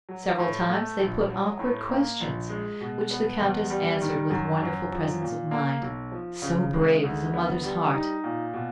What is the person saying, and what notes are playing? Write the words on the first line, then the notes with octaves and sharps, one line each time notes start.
Several times they put awkward questions, which the Countess answered with wonderful presence of mind. So brave is a mother's heart!
F#3
A2
A3
A#1
F#3
A2
A#3
A#1
G#3
B2
B3
E2
G3
D#3
F#2
F#2
F3
A#2
A#3
B1
F3
C#3
G#3
D2
B3
G3
D#4
A#2
B2